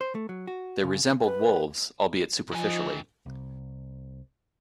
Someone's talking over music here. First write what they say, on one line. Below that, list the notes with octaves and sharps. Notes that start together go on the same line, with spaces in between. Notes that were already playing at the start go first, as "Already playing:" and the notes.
They resembled wolves, albeit superficially.
C5
A3
F#3
F#4
C#3
B4
D#3 F3 D#5 G#5
C2